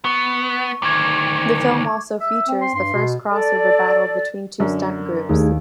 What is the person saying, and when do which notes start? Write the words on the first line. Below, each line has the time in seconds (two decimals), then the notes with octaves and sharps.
The film also features the first cross over battle between two stunt groups.
0.05 B3 C#6
0.82 D2 D#3 D6 G#6
2.21 E5
2.48 C4
2.62 C6
2.75 G2 C6
2.94 B2
3.31 A4 D5
4.60 F#2 D3 A#4
5.29 D#2 A3 D#4 G#4